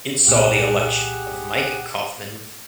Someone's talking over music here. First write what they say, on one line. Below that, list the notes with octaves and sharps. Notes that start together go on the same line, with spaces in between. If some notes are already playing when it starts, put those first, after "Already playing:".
It saw the election of Mike Coffman.
C2 A#2 G4 G#4 F#5